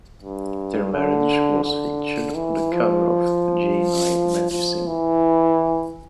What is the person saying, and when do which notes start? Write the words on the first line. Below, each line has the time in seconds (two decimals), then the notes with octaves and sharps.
Their marriage was featured on the cover of Geni Magazine.
0.22 G2
0.93 D3
1.64 D3
2.36 E3
2.72 F3
4.51 F3
4.87 E3